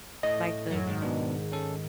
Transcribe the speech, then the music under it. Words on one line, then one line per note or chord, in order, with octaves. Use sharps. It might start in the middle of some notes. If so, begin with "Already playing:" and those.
like, the
A2 A3 D#5
F#2 F#3
G#2 D#3
B2 B3 D4
C#4 A4